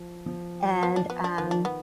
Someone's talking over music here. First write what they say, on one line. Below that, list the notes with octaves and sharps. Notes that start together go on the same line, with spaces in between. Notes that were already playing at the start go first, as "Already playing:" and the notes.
and, um,
Already playing: F3
F3
B3
D4
B3
D4
D#3 B3
D4
B3